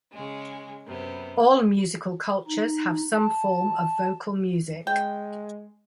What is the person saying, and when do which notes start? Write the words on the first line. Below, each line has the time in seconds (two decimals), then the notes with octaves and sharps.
All musical cultures have some form of vocal music.
0.13 C#3 G#3
0.86 F#2 C3 B3
2.47 D#4
3.16 A5
4.87 G#3 G5